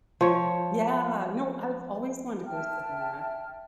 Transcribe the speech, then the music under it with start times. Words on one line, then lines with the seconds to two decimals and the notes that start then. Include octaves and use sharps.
Yeah. No, I've always wanted to go to Sedona.
0.21 F3 C#5
2.46 E5 G5 A5 F6